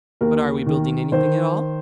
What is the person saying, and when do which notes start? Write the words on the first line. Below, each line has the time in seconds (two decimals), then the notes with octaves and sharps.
"But are we building anything at all?"
0.21 D#2 A#4
0.66 D#3
1.12 D#3 C5